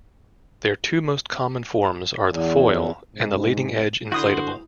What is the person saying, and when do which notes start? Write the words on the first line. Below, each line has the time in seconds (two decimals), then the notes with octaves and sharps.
Their two most common forms are the foil, and the leading edge inflatable.
2.28 E2
3.14 G#2 C3
4.12 D3 E4 F#4 C5 D#6